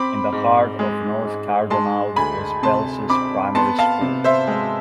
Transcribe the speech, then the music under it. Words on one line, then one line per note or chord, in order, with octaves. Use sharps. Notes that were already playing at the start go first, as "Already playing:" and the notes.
In the heart of north Cardonald was Belses Primary school.
Already playing: C4 B5 D6
G#2
G#3
G#2
G#3 A5 C6
D2 G#5 B5
C3 A5 C6
C4 B5 D6
B3 A5 C6
F5 A5
C3
C5 E5
G#3